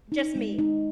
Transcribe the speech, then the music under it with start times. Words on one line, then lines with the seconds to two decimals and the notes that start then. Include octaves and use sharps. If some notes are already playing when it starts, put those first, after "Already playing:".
just me.
0.12 D#4
0.35 G#3
0.59 D#4